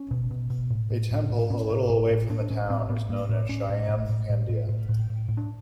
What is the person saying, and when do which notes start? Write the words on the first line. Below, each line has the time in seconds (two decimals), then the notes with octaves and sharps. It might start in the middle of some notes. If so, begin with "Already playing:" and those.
A temple, a little away from the town, is known as Shyam Pandia.
Already playing: C#4
0.11 B2
0.31 B2
0.50 B2
0.70 A2
0.90 A2
1.11 A2
1.30 A2
1.50 A2 C#4
1.71 A2
1.90 A2
2.11 A2
2.30 A2 D4
2.41 D4
2.50 A2 C#4
2.70 A2 C4
2.89 A2 B3
3.10 A2 A#3
3.29 A2
3.49 A2 C#4
3.69 A2
3.89 A2
4.09 A2
4.30 A2
4.49 A2
4.69 A2
4.89 A2
5.10 A2
5.29 A2
5.37 D4